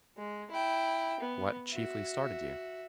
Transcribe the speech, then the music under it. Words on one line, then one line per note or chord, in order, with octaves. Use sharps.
"What chiefly started you?"
G#3
E4 G5
B3
F#4 E5